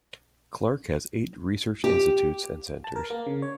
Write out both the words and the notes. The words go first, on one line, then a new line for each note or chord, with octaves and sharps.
Clark has eight research institutes and centers.
G4
A5
A#4
A#3
C#3
C#5